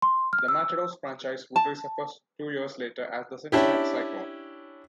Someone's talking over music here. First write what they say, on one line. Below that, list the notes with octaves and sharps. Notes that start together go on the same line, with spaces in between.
The Matadors franchise would resurface two years later as the Cincinnati Cyclones.
C6
F6
E6
A5
C#4 D4 E4 G4